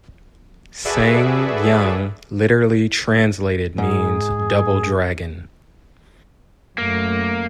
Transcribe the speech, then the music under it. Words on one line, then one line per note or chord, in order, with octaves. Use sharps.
"SsangYong", literally translated, means "Double Dragon".
F#4 G#4 A4 B4 D5 E5
G#2 G#4
F#2 A3 A#3